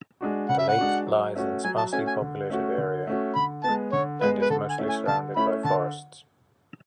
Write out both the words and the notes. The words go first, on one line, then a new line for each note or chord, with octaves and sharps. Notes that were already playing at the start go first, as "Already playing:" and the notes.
The lake lies in sparsely populated area and is mostly surrounded by forests.
G#3 D4 F#4
C#3 F#5
E5
F#5
G#3 D4 F#4
F#3
A3 C#4 F#4
F#3 G#5
A5
A3 C#4 F#4 G#5
G#5
D3
A3 C#4 F#4
D3
A3 C#4 F#4
D3 B5
G#3 B3 A5
D3 C#5
G#3 B3 B4
B4
D3 A4
G#5
A3 C#4 E4
G#5
D3 A5
A3 C#4 E4 B5
D3 A5